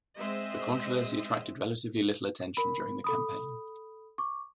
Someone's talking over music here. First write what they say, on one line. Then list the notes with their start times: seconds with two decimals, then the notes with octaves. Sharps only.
The controversy attracted relatively little attention during the campaign.
0.18 G#3 C4 C5 D#5 E5
2.57 A#4 B5
3.04 A4 B5 D#6
4.18 C#6 D6